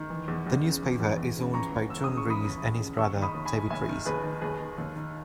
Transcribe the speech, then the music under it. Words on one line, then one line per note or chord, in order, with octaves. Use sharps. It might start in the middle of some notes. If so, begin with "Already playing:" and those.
The newspaper is owned by John Raese and his brother David Raese.
Already playing: D#3
E3
E2
E2
C#3
E3
E2
E2
C#3
E3 A#5 C#6
D#2
D#2 E6
C#3 D#6
C#6
E3 B5 D#6
D#2
D#2
C#3
D#2 C#6 E6
D#3
B5 D#6
D#2
G#5 B5
D#3
D#2 E5 G#5
D#3
D#2 G#4 B4
D#3
D#2 G#4 B4
D#3
D#2
D#3